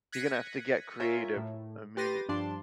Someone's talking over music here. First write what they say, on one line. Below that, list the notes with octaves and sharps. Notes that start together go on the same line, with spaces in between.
You're gonna have to get creative, I mean,
F#6 G#6 A#6 B6 C#7 D#7
F4 A#4 C#5 E5 G#5
A2
G4 B4 C6 A6 A#6 D#7
G2 F3 D4 D5 A5 C6